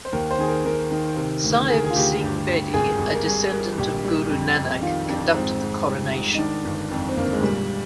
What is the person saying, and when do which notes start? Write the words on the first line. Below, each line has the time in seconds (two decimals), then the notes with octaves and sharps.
Sahib Singh Bedi, a descendant of Guru Nanak, conducted the coronation.
0.05 C5
0.12 D#2 A#4
0.31 C5
0.39 D#3 G#4
0.48 A#4
0.65 D#3 A#4
0.91 D#3
1.16 C3
1.43 D2
1.69 D2 G#4
1.76 A#4
1.84 G#4
1.90 F4
1.96 D2 G4
2.21 G2
2.47 G2
2.73 G#1 G#4
2.99 G#1
3.14 A#4
3.26 G3 G#4
3.52 G3 A#4
3.78 A#1 G4
4.04 G3
4.30 F2
4.55 F2
4.82 D#3 F4
5.09 F2 D4
5.34 G#2 C4
5.61 G#2
5.87 G3
6.13 G#2
6.33 D#4
6.38 D#3 D4
6.65 G1
6.91 F2
7.09 C4
7.17 G1 A#3
7.33 G#3
7.43 A#2 G3